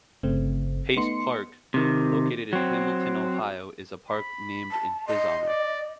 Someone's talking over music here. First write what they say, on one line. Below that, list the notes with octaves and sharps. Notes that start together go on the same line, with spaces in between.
Pace Park, located in Hamilton, Ohio, is a park named in his honor.
G1 C#3 A3 C4
A3 B3 D#4 C6 C#7
C3 D#3
F#3 C4
B5
A5
D#5 C6
D5